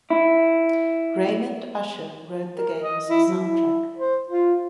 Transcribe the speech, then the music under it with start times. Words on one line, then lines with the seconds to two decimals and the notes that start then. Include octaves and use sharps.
Raymond Usher wrote the game's soundtrack.
0.10 E4
2.57 A#4
2.81 D#5
3.09 E4
3.29 F#3
3.45 E4
3.97 C5
4.29 F4